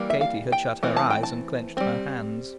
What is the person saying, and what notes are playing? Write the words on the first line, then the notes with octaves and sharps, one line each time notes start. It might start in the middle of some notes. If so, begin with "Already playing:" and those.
Katie had shut her eyes, and clenched her hands.
Already playing: E3 G3 A#3
E5
F5
G5
E3 A3 C4
A5
G5
A5
G3 C4